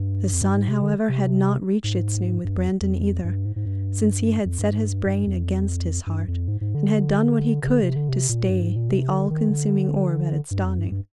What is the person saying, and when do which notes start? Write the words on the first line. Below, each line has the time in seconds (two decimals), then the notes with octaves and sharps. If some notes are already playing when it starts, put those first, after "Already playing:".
The sun, however, had not reached its noon with Brandon, either; since he had set his brain against his heart, and had done what he could to stay the all-consuming orb at its dawning.
Already playing: G2
0.33 F2
0.41 G2
0.56 G#2
0.68 C3
0.82 D3
1.09 C3
1.84 G#2
2.44 G2
2.56 F2
2.81 F2
3.24 G2
3.45 G#2
3.56 G#2
3.66 G2
4.46 F2
4.59 G2
4.73 G#2
4.86 G2
5.06 G2
5.27 F2
6.07 G2
6.28 F2
6.48 G#2
6.61 G#2
6.75 D3
7.64 C3
7.68 D3
7.82 C3
7.96 D3
8.09 C3
8.29 A#2
8.49 G2
8.62 G#2
8.76 A#2
8.89 C3
9.10 D3
9.30 D#3
9.50 D3
10.51 G2
10.64 F2
10.79 G2
10.91 G2